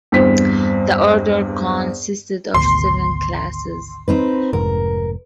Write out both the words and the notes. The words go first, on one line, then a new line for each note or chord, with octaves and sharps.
The order consisted of seven classes.
E2 G2 C4 C5 B6
G#1 D2 B2 C6
C4 D#4 B4
F1 F2 G#2 A#4